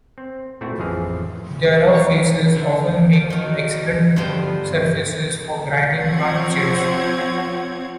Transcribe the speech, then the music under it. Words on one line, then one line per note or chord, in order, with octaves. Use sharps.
Their rough faces often make excellent surfaces for grinding plant seeds.
C4
A#2 A3 C4 E4 F#4
A1 F2 E3 F3 G#4 F5
C#5
E3
D3
F3
D#3 F#3
G2 D3 F3 B3 C5 G5
F3 C4 C#5 F#5 G#6